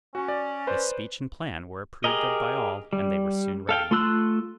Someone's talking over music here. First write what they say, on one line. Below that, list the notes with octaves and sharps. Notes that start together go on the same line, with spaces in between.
This speech and plan were approved of by all, and they were soon ready.
C#4 F#4
D5
B4 C5 D5
G4 G#4 A#4 D#5
G3
A4 F5 G5
A3 F4 C6 E6 F#6